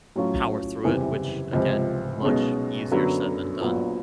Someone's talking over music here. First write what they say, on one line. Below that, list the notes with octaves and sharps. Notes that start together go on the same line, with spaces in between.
power through it, which again much easier said than done.
A2 F#3 A3 C#4 F4
F#1 E2 C3 E3 G3
C#2 C3 F3
B1 B2 G#3 C#4
F#2 D3 F#3 B3
A#1 A#2 F#3 B3